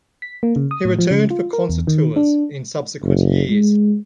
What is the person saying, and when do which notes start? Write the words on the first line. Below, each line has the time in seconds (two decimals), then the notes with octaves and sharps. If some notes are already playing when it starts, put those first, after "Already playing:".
He returned for concert tours in subsequent years.
0.22 B6
0.43 A#3
0.56 C#3
0.71 D#6
0.85 A2
0.99 F3
1.11 C#3
1.30 F4
1.53 A#4
1.69 E2
1.87 D#3
2.16 D4
3.03 F#1
3.50 G#3